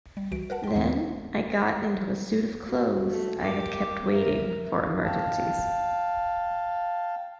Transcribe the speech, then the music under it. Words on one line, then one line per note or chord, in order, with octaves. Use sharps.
Then I got into a suit of clothes I had kept waiting for emergencies.
G3
C#2 E3 F#4 D7
A#4 B4 F#5 A5
G5 C6
D#2 D3 E3 A3 C4
F#4
A3
G4 A#4 D6
A#4 E5
F5 G5 A5